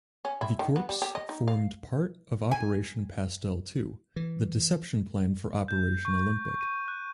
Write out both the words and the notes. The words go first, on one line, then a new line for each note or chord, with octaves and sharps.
The Corps formed part of Operation Pastel Two, the deception plan for Operation Olympic.
C#4
E4
D#3
B3
G3
G4
D#5
D#4
F5
G#5
E3
G6
C#6
D#7
F#6